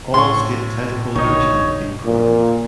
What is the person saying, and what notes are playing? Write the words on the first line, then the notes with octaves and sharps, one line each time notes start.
All state titleholders have been crowned.
A2 C6 C#6
B1 D3 D#3 D#4 C#5
A#2